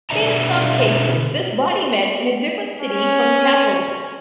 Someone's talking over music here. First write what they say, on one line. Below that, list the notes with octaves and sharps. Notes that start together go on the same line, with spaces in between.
In some cases, this body met in a different city from the capital.
B2 D3 D5 E5 A#5
C#4